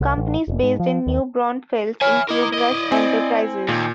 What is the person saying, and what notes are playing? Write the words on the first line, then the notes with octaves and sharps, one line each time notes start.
Companies based in New Braunfels include Rush Enterprises.
C2
A1
F1
G#2
F3
D#2
C#5 E5 G#5 F6
E4 A#4 D#5 D6
D5 D#5
C4 G#5
D#2 A#2